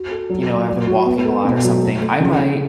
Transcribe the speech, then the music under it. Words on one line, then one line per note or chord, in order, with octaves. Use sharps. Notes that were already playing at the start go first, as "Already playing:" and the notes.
you know, I've been walking a lot or something, I might,
Already playing: F#4
A4
F#3
F#3
F#3
F#4
B3
A4
B2
F#3
A3
A3
C#3
C#3